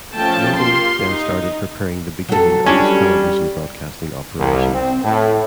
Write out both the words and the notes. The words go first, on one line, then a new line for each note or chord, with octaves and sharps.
"Globo" then started preparing the beginning of its television broadcasting operations.
F3 A3 C#4 G5 A5
A#3 F4 G4 C6
D#4
F#3 A4
G3 C#4 D4
C2
C4
A2